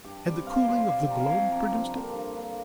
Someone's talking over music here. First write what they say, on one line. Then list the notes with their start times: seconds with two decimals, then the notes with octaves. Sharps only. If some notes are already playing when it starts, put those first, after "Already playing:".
Had the cooling of the globe produced it?
0.05 G2 G4
0.26 G3 C4 D5
0.47 G2 F5
0.57 D5
0.68 G3 C4 C5
0.78 F4
0.88 C3 D5
0.99 G5
1.09 F3 C4 A#5
1.20 F5
1.31 C3 G5
1.52 F3 C4 A#5
1.72 G2 A#5
1.94 D3 A#3
2.15 G2
2.36 D3 A#3